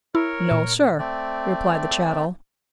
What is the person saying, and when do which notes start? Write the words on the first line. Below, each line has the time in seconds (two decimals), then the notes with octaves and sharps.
"No, sir," replied the chattel.
0.15 E4 A#4 C#5
0.51 A#2
0.99 A3 C4 D5